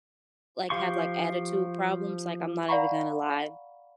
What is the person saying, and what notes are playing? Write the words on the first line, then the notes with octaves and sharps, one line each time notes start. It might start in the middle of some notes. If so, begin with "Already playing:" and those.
like, have, like, attitude problems, like, I'm not even gonna lie.
F3 G4 F5 C6 C#6
D5 F5 F#5 A#5 B5 C#6